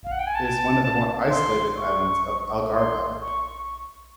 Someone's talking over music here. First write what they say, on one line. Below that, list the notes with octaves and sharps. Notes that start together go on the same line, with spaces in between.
Is one of the more isolated islands of Algarve.
F5
F#5
G5
G#5
A5
C6
C#6
C6
C#6